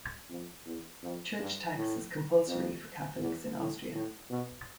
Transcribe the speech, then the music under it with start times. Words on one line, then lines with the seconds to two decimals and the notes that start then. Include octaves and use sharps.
Church tax is compulsory for Catholics in Austria.
0.30 F2
0.66 E2
1.03 F2
1.39 G2
1.75 A2
2.47 F2
3.20 E2
3.57 A2
3.93 A2
4.30 B2